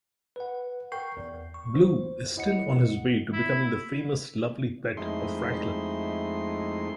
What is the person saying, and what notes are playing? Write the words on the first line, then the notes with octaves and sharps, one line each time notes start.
Blu is still on his way to becoming the famous lovely pet of Franklin.
B4 F#5
A#4 G5 C#6 G6 C7
E2
C#6
D#2 C5
D#2 E4 D#5 F#5 C#7
E4
F2 G#3 A3 D#4 E4 C6